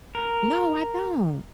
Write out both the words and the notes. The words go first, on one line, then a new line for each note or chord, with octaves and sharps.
No, I don't.
A#4